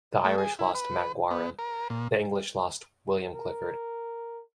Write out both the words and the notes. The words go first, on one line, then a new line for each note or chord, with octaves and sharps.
The Irish lost MacGauran; the English lost William Clifford.
A3
G#4
E4
B4
B3
A#4
A#2
A#4